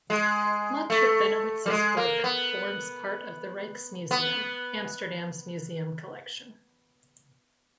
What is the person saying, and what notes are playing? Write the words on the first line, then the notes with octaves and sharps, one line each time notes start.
Much of Bennewitz’s work forms part of the Rijksmuseum Amsterdam’s museum collection.
G#3
A3
G3
G#3
A#3
B3
B3